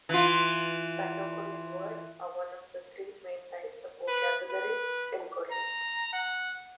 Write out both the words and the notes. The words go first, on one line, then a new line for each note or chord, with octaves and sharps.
Sino-Korean words are one of the three main types of vocabulary in Korean.
E3 F4
B4
B4
A#5
F#5